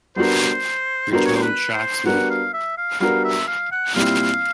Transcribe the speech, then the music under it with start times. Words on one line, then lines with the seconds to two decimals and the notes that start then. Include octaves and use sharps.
Your tone shocks me.
0.16 G3 B3 D4 F#4 A#4 C5
1.11 G3 B3 D4 F#4 A#4 C5
1.26 C#5
1.35 C5
1.43 B4
1.74 C5
2.06 G3 B3 D4 F#4 A#4 F#5
2.30 F5
2.54 E5
2.78 F5
3.00 G3 B3 D4 F#4 A#4 F5
3.25 E5
3.48 F5
3.72 F#5
3.95 A#2 G3 C4 E4 F5